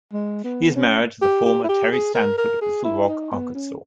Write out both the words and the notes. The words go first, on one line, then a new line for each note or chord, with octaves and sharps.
He is married to the former Terry Stanford of Little Rock, Arkansas.
G#3
B3
C#4
G4
G4
E4
G4
G#4
A#4
A#4
G#4
E4
D#4
B3
C#4